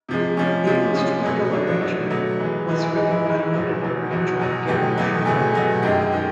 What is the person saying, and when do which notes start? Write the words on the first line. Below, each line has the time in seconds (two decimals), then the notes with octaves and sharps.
The instrumental arrangement was written by noted arranger Gary Sherman.
0.09 C3 F3 G#3
0.37 C3 F3 G#3 C#4
0.66 C3 F3 G#3
0.95 C3 F3 G#3 C#4
1.24 B2 F#3 A3
1.52 B2 F#3 A3 D4
1.67 D4
1.81 B2 F#3 A3 D4
2.10 B2 F#3 A3
2.39 G#2 E3 G#3
2.67 G#2 E3 G#3 G#4
2.82 E4
2.96 G#2 E3 G#3 D#4
3.11 E4
3.24 G#2 E3 G#3 E4
3.54 E2 B2 F#3
3.82 E2 B2 F#3
4.11 E2 B2 F#3 F#4
4.40 E2 B2 F#3
4.68 E2 B2 F#3 A3 G4
4.97 E2 B2 F#3 A3
5.25 E2 B2 F#3 A3 G#4
5.54 E2 B2 F#3 A3
5.83 F#2 D#3 G#3 G4
6.12 D#3 G#3